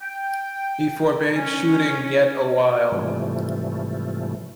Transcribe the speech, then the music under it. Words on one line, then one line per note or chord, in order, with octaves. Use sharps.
He forbade shooting yet awhile.
G5
C#4
G#2 C3 E3 F3 G3 A3